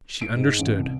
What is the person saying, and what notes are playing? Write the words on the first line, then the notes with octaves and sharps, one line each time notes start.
She understood!
D7
G#2
A1
C2